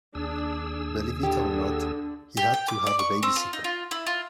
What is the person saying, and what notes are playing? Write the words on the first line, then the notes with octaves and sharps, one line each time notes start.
Believe it or not, he had to have a babysitter.
D#2 D4 G#4 E6
D3 D4 G4
G4
G5
D6
D5
C#6
C4
F4
D#4
F4
E4
F4